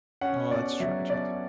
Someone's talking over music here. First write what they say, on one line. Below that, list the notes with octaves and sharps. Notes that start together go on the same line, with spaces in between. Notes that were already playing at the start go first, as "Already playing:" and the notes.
Oh, that's tragic.
C#4 F#5
B2 D5
F#3 E5
B2 D5